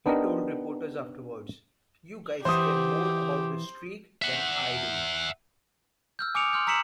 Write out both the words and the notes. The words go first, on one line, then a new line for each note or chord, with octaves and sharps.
He told reporters afterwards, You guys care more about the streak than I do.
B3 D4 D#4 G4 A#4 D#5
E3 G4 C5 E5 F#5 D#6
E5 F#5
E6 F6 G6
G#5 D6 D#6 C#7 D7 F7
C6 F6 G6
A#5 E6 B6 C#7 E7 F#7